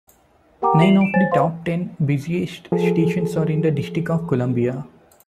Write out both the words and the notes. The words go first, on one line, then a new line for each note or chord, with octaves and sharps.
Nine of the top ten busiest stations are in the District of Columbia.
G4 A#4 F#5 G5 A#5 D6
F4 G4 E5 C7 F7 F#7
D7 E7
C5 C#5 G#5 A6
B4 C5 F5 C6
F3 G#4 A4